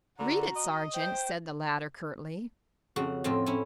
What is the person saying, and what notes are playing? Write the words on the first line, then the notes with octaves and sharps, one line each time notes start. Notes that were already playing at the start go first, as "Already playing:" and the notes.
"Read it, sergeant," said the latter curtly.
D3 F#4 A#5
D#5
C5 G5
F2 C#3 F#4
F2 A2 C4 F4
C#4 E4